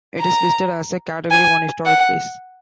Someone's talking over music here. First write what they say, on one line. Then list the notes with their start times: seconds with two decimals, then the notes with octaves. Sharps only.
It is listed as a Category One Historic Place.
0.20 A#5
1.31 G#5
1.86 F#5